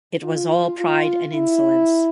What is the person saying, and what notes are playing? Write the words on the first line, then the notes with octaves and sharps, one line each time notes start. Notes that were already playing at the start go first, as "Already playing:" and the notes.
It was all pride and insolence.
F4
F4
E4